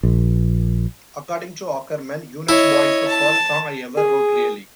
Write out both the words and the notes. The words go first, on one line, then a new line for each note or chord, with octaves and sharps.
According to Aukerman: Eunuch Boy' is the first song I ever wrote, really.
A#1
E4 C#5 D#5
A5
G#4